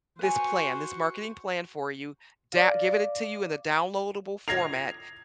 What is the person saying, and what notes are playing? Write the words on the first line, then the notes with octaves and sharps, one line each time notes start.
this plan, this marketing plan for you, dow give it to you in a downloadable format,
F#4 B4 C5 G#5
D5 F5
G#6 A#6 C7 F7